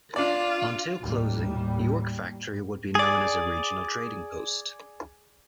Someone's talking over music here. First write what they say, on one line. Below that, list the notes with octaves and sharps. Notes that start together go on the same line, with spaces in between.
Until closing, York Factory would be known as a regional trading post.
D4 F4 D5
D#2 A2 G3
G#4 D5